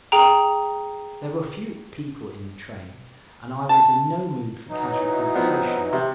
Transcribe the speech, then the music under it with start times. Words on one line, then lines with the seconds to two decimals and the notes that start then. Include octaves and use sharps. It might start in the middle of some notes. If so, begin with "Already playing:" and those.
There were few people in the train, and I was in no mood for casual conversation.
0.12 G#4 G5 A#5
3.69 A5
4.69 E3 F#3 D#4
5.34 F3 B3 C4
5.93 C3